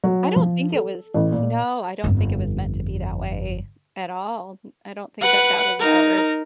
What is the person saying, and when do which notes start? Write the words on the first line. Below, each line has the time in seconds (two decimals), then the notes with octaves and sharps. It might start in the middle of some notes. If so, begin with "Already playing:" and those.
I don't think it was no, I don't think it was meant to be that way at all, m I don't think that that was our
0.04 F#3
0.36 F3
0.73 A4
1.14 A1
1.32 A#2
2.04 G1 F2
5.22 B4 F#5
5.80 D#4 A#4